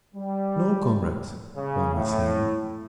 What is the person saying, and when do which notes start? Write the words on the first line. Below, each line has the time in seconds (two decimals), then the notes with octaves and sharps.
"No, comrades," one was saying.
0.14 G3
1.56 C#3
1.94 A2